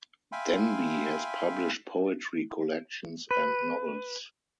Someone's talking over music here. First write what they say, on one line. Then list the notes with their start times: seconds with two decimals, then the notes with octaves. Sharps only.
Denby has published poetry collections and novels.
0.32 E5 F5 G5 G#5 B5 C6
3.31 B4